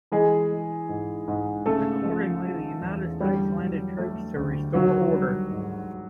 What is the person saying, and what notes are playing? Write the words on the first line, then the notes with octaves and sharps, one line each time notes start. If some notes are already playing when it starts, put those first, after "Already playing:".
Accordingly, the United States landed troops to restore order.
E3 G#3 G#4
G#3
G#2
G#2
C#3 A3 A4
F3
G#3
E2
D3 G3 G4
F#3
A3
D2
D#3 F#3 F#4
G3
G#2